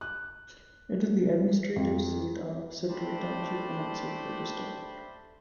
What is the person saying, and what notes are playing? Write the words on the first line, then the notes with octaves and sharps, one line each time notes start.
It is the administrative seat of Sittwe Township and Sittwe District.
F#6
F2
A3 D4 G4 C5 A5 B5